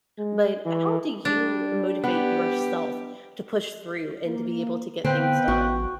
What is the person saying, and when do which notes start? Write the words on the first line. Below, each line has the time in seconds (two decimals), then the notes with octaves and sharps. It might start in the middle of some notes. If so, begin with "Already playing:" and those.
but how do you motivate yourself to push through and to be able to get things done?
0.18 G#3
0.66 E3
1.25 G3 D4
2.04 B3 G4
4.25 A#3
5.05 D3 B3 C4 B4 F5 G5
5.48 A1 F#4